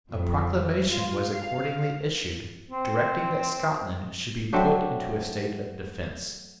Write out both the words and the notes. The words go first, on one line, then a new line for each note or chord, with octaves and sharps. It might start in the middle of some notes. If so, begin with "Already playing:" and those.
A proclamation was accordingly issued directing that Scotland should be put into a state of defence.
F2
F4
F5
C4
F#3 A3 C4 D4